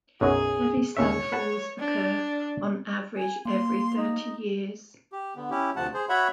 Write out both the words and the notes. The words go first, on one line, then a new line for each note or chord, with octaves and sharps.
Heavy snowfalls occur on average every thirty years.
B1 F#2 F#3 G#4
D#2 C#3 C#5 E5
B4 F#5 A5
D4
G#5
A#3 C6
D#4
G4
D3 B3
C#4 E4 G4
D2 C3 F3 A3 F#5 A5
G#4 C5
F#4 C#5 E5 F#5 B5